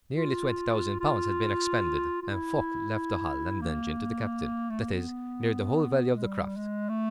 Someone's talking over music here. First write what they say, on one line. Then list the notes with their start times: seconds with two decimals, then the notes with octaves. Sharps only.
Nearly twenty thousand pounds had been expended, and Fogg left the hull and engine to the captain, that is, near the whole value of the craft!
0.14 F4
1.01 F4
2.22 F4
2.31 E4
3.62 A#3
4.70 A3
4.81 A#3
4.93 B3
6.16 G#3
6.24 G3
6.57 G#3
6.89 A3